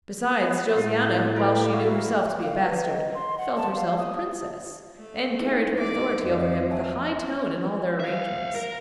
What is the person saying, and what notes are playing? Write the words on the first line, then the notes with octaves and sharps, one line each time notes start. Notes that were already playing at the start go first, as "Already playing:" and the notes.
Besides, Josiana, while she knew herself to be a bastard, felt herself a princess, and carried her authority over him with a high tone in all their arrangements.
A2 F4
A#4 B4 D5
E4 F#4 F5
F5
B4
D#5
C6
F#5
A5
F5
D#6
A3
D#4 E4 G#4
D5
F2 D5 D#5
E5 G#5 A5
E5 F5
A#4